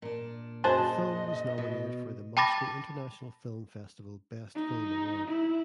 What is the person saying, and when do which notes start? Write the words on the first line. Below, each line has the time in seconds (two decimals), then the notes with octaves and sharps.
The film was nominated for the Moscow International Film Festival best film award.
0.02 A#2 D4
0.64 F#2 G#4 C5 D#5 A5 F#6
1.58 B2
2.37 G5 A5 B5 D6 A6 A#6
4.55 D#4
5.29 E4